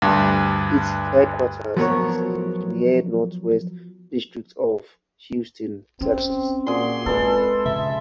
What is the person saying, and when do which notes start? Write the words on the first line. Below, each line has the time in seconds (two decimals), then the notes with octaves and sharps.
Its headquarters is in the Near Northwest district of Houston, Texas.
0.02 D2 G2
1.77 F3 F#3 B3 A#4 C#5
6.01 C4 C#4
6.67 A#2 F#4 G#4 C6
7.06 G#3 C4 A4 B4
7.66 C#3 E5